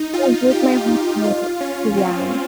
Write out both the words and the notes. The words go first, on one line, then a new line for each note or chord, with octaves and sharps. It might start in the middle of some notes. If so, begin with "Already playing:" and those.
that would break my heart, yeah, um,
Already playing: D#4
F4
G4
F4
C#4
C4